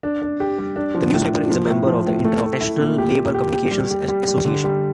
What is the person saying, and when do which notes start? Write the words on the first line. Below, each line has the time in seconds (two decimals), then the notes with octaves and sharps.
The newspaper is a member of the International Labor Communications Association.
0.03 D4
0.22 D4
0.40 G4
0.58 G3
0.76 D4
0.95 F3
1.14 A2
1.32 D4
1.50 F3
1.69 A2
1.87 F3
2.06 A2
2.25 A3
2.43 A3
2.61 E4
2.79 A#2
2.98 G4
3.17 A#2
3.34 G4
3.53 G4
3.71 G3
3.91 G4
4.08 G3
4.27 G3
4.45 D3
4.64 G3